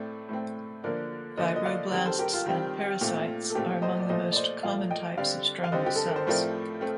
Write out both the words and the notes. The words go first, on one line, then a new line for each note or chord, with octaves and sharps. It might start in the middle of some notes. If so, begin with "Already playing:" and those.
Fibroblasts and pericytes are among the most common types of stromal cells.
Already playing: A2 A3 C4 D5
A2 A3 C4
D3 F3 A#3 A#4 D5
D3 F3 A#3 C5 D#5
D#5
D5 F5
D#3 G3 C4
A4 C5
G4 A#4
F4
D#3 G3 C4
A#2 A3 C4
A4
A#2 A3 C4 G4
C5 D#5
D5
A#2 F3 A3 C5 D#5
D5
C5 D#5
A#2 F3 A3 D5 F5
D#5 G5
D3 G3 C4 D5 F5
F5
D3 G3 C4 C5 D#5
G4
A4
A#4
C5
A2 F3 A3 C4 A#4 D5
A3 C4